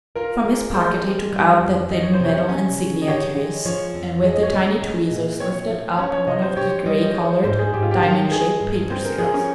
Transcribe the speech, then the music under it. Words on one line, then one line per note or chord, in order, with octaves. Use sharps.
From his pocket he took out the thin metal insignia case, and with the tiny tweezers lifted up one of the gray-coloured, diamond-shaped paper seals.
F4 A#4
G#3
G#3 C5
C4
G3
F2
F2 D#5
C#5
C5
C3 C#5
C#4
C#3
D#5
G4 C#5
G#3
F3 C#5
F2
G#3
D#5
C#5
C#3 D#5
G#3
A#2
C4 C#5
F3
C#4 C#5
C#5
C3 D#5
C5
G4 C#5
G3 D#5
D#5
G#3 C#5
C5
G#2 C5
G#4
G#2 G4
F4
G4
D#3
G#3 G#4
G2
C4 C5
A#4
F3 G#4
C#4